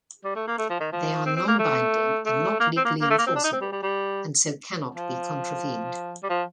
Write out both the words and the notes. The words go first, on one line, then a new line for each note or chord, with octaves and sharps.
They are non-binding and not legally enforceable and so cannot be contravened.
G3
A3
A#3
A3
F3
D#3
F3
C4
C4
A#3
A3
A3
A#3
C4
A#3
A#3
A3
A#3
C4
D4
D#4
C4
G3
G3
G3
F3
G3
F3